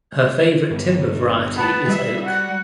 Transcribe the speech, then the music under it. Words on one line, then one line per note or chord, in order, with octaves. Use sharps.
Her favourite timber variety is oak.
G1
B3 A5
G3 E5
F#4 F#5